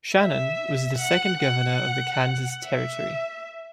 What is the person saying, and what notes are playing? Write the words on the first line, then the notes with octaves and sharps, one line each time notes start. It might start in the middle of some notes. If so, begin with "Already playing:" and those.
Shannon was the second governor of the Kansas Territory.
E5
F#5
F#5
E5